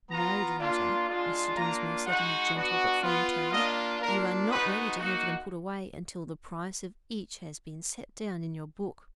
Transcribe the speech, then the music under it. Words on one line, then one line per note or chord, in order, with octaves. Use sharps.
"No, daughter," Mr. Dinsmore said in a gentle but firm tone; "you are not ready to have them put away until the price of each has been set down in your book."
B3 F4 A#5
A#3 D4 F4
G#3 D4 F4
A#3 D4 F4 A#5
G#3 D#4 F#4 F#5
B3 D4 F#4
B3 F4
A#3 D4 F4 D#5
A#3 D4 F4 A#4
G#3 B3 D#4 F#4 B4
A#3 D#4 F#4